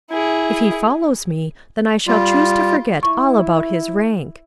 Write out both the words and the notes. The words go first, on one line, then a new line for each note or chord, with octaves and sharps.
If he follows me then I shall choose to forget all about his rank.
E4 G#4
G3 F4
E4 C#6